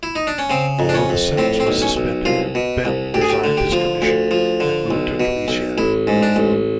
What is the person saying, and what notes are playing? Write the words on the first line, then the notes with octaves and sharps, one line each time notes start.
Although the sentence was suspended, Bem resigned his commission and moved to Galicia.
E4
D#4
D4
C#4
C#3 C4
F2
D4
C#4
F2
A2 C4
C4
B1
C#4
B1
C2 F4
B2
C2
D2 G4
G#4
G4
D3
G4
F3
D2
F3
D3
B1
B2
B1
A1 E4
G#2
D4
A1